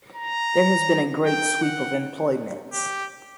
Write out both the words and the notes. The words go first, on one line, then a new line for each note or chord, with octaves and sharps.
There has been a great sweep of employments.
A#5
G5
F#5
G4